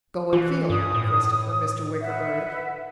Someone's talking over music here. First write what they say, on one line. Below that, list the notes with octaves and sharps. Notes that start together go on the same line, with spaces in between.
"Go and feel of it, Christopher," Mr. Wicker urged.
E3 F4
G2 D#6
A2
B4 E5 F#5